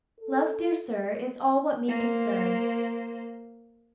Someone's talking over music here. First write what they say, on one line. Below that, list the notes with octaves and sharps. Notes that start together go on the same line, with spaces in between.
Love, dear sir, is all what me concerns.
A4
A#3 C5